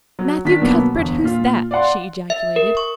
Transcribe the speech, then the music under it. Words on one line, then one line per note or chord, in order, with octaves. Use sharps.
"Matthew Cuthbert, who's that?" she ejaculated.
F#3
D#3 D4 D5 B6
B2 F#3 A#3 B3
G1 E2
A#2 F4
D5 F5 F#5 C6
E5
A#4
C#6